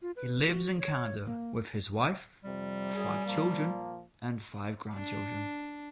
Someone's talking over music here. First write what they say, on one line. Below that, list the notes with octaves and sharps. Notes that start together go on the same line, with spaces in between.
He lives in Canada with his wife, five children, and five grandchildren.
F4
B4
F#4
C#5
A#3
F2 C3 G3
F#2 G#4
A#2 F3 A#3
D4